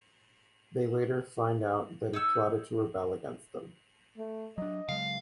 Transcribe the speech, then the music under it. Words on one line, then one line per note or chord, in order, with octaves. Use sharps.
They later find out that he plotted to rebel against them.
D#4 C#5 E6
A3
F#3 D4 D#5
C#3 F#3 G#3 F5